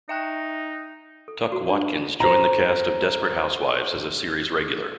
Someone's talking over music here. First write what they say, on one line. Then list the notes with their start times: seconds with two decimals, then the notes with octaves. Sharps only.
Tuc Watkins joined the cast of "Desperate Housewives" as a series regular.
0.09 D#4 E5 G5 F#6
1.28 A4
1.52 F#4
1.69 D4
2.20 C5 A#5